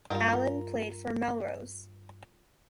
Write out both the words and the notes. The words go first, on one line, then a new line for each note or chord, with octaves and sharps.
Allan played for Melrose.
G2 F4 A#4